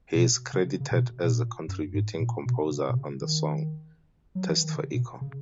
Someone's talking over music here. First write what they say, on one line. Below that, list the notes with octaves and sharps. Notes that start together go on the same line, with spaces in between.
He is credited as a contributing composer on the song "Test for Echo".
B2
C#3
C#3
B2
B2
A#2
F#2
G#2
A#2
B2
C#3
B2
C#3
D#3
F#3
E3
D#3
C#3
B2
C#3